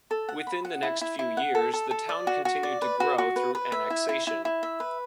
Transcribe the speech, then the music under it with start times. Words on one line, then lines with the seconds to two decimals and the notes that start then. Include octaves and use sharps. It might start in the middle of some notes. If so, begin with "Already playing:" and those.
Within the next few years, the town continued to grow through annexation.
0.11 A4
0.29 F#5
0.47 B5
0.65 F#5
0.83 E4
1.01 E4
1.19 E4
1.37 F#5
1.55 A4
1.74 A4
1.91 A4
2.09 D5
2.27 F#4
2.45 F#4
2.63 D5
2.82 B4
3.00 F#4
3.18 F#4
3.36 B4
3.55 B4
3.72 E5
3.90 E4
4.09 E4
4.27 E4
4.45 E4
4.63 E5
4.80 B4